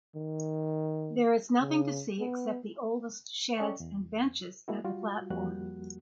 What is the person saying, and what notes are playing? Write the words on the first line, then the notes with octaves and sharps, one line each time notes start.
There is nothing to see except the oldest sheds and benches at the platform.
D#3
C#3
B3
C#4 A4 D5 D#5 G5 C#6
E2
G#3 A#3 E4 F#4
G3 F4 F#4
F2 F3 G3 A#3 F#4 F#6